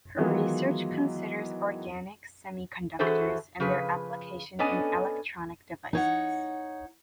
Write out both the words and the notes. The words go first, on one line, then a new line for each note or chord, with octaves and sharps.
Her research considers organic semiconductors and their application in electronic devices.
D#3 E3 F#3 G#3 B3 F4
E3 F#4 G#4 A4 C5 E5
C#3 F3 G#4 B4
B3 C#4 D4 A4 D#5 G#5
D#4 C#5 F#5